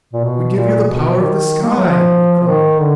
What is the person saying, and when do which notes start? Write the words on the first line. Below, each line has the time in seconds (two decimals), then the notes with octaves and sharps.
"We give you the power of the sky!" we cried.
0.13 A#2
0.24 B2
0.56 A#2
0.88 B2
1.20 D#3
1.63 A#3
1.70 G#3
1.77 F#3
1.84 F3
2.39 F3
2.48 D#3
2.80 D3